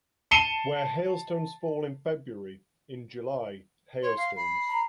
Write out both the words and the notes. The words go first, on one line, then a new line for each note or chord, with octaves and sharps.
Where hailstones fall in February, in July, hailstorms.
A5 C7 C#7 D#7 E7 G7
C#5 C6
F5
B5 C7
A#5